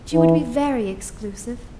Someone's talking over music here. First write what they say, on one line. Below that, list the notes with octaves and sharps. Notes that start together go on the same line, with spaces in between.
She would be very exclusive.
E3